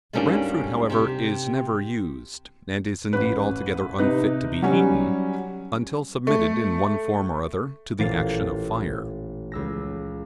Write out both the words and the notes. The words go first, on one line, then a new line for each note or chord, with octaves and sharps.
The bread-fruit, however, is never used, and is indeed altogether unfit to be eaten, until submitted in one form or other to the action of fire.
D2 G#2 G3 A#3 C#4 D4
C3 G4
A1 B4
C3 D#4 B4
F#3 G3 C#4
A3
A1 A#2 C5 F5 A6
C#2 E6 A#6